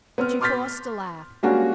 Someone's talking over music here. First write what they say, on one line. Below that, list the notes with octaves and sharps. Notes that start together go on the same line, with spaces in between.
She forced a laugh.
B3 C4 F6
C6 D6 F6 G6 A6 B6
G3 G#3 A#3 C#4 D4 F#4